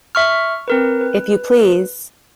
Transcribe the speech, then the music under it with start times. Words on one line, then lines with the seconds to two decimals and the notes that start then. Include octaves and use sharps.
If you please.
0.15 E5 C#6 F6
0.68 C4 A#4 B4
1.01 B4